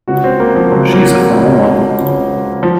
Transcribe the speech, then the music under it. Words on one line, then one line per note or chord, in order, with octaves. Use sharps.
She is a former model.
C#2 C#3 F#4
C4
A#3
F3
C#2 C#3 F#3
A#3
F#3
C#2 C#3
C#2 C#3
F3